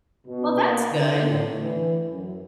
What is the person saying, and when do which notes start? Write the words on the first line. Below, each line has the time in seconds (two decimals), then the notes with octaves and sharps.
Well, that's good.
0.27 B2
0.57 A#3
0.92 D3
1.29 A2
1.61 E3
2.10 F#2